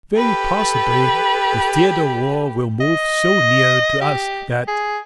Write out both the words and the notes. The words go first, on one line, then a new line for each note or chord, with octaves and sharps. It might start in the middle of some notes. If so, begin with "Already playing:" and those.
"Very possibly the theater of war will move so near to us that..."
G4 A4 B4
D#5
G4
G#4